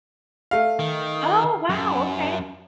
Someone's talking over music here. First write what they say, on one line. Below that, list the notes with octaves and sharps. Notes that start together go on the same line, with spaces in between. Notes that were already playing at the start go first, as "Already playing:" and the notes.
Oh, wow. Okay.
A3 F5
D#3
F#2